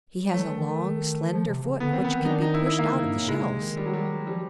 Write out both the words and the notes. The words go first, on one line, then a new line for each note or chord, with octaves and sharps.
He has a long, slender foot which can be pushed out of the shells.
G3
F#3 A3
E3
D#3
D#3
F3
C3
C#3
D3 B3
D#3 C4
E3 B3
D#3
D#4
D4
D#4
E4
E4
D#3 A#3
C#3
G2
A2
C#3 G#3
C3
D#3
G3
F#3
G3
F3 G3